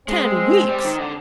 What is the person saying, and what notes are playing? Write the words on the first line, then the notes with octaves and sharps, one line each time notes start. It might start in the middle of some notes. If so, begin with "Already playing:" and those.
"Ten weeks!"
G#3 C4
G3
D#3
D3